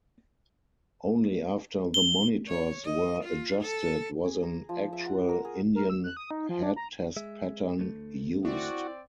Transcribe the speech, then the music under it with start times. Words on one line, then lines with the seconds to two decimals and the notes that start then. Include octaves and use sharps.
Only after the monitors were adjusted was an actual Indian-head test pattern used.
1.94 G7
2.47 C#5
2.84 D#5
3.23 F4
3.61 A4
4.26 G#4
4.43 A#5
4.69 F3
4.93 E5
5.06 F#5
5.29 A#4
5.45 G#4
5.75 A#4
5.90 E6
6.04 F#6
6.17 D#6
6.31 D#4
6.49 F3
6.63 D4
6.76 A#5
7.17 G#3 E5
7.79 D2 A3
8.45 C4 E4 F#4 D5